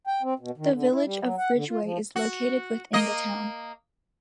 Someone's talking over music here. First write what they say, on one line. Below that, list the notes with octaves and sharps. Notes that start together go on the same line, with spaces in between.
The Village of Ridgeway is located within the town.
G5
C4
B2
D#3
D3
E4
G3
F#3
F#5
D3
F4
F3
F#4
A#3 D#5